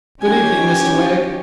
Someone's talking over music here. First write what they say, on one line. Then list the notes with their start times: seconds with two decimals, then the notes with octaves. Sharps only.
'Good evening, Mr Wegg.
0.22 D#3 C#4 G4 G#5